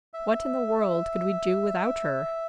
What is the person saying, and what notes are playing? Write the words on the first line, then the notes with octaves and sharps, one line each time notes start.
What in the world could we do without her?
E5